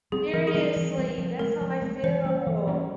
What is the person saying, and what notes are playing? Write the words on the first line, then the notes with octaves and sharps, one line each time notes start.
Seriously, that's how I feel.
G3 C4 G#4
E3 A#4
G#4
G3 C4 A#4
E3
G3 C4
F3
G#3 C4 A#4
F3
G#3 C4
E3 C5
G3 A#3 C#4
E3
G3 A#3 C#4